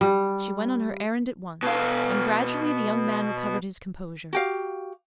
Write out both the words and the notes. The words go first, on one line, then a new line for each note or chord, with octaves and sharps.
She went on her errand at once, and gradually the young man recovered his composure.
G3
B2 F5
F#4 G4 F5